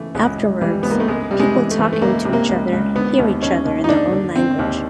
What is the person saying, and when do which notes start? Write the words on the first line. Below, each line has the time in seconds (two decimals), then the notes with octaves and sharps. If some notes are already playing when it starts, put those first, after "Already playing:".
Afterwards, people talking to each other hear each other in their own language.
Already playing: C#3 E3 A3
0.15 C#2 G#3
0.38 C#2
0.61 E3 G3
0.83 C#2 B3
0.91 A#3
1.00 A3
1.08 C#2 G#3
1.31 C3 G3
1.39 G#3
1.55 E3
1.71 A3
1.79 E3
1.93 A3
2.01 C#2 A#3
2.25 C3
2.33 A#3
2.49 C#2
2.72 C#2
2.95 D3 B3
3.19 D#2
3.42 D#2 C#4
3.65 D#2
3.84 D#4
3.89 D3 D4
4.12 D3
4.36 D3 C4
4.59 D#2